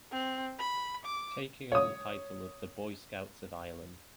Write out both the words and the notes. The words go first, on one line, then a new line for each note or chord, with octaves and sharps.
Taking on the title of the "Boy Scouts of Ireland".
C4
B5
D6
C#5 D#6